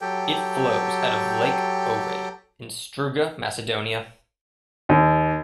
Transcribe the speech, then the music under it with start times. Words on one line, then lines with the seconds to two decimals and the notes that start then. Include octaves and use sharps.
It flows out of Lake Ohrid in Struga, Macedonia.
0.01 F#3 G4 A4 G5
4.89 D#2